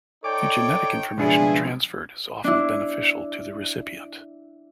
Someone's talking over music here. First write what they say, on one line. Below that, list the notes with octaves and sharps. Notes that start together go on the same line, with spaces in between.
The genetic information transferred is often beneficial to the recipient.
D#4 A4 C#5 D5 G5 D6
C#2 G2 B2 F3 D4 E4 G#4
D4 E4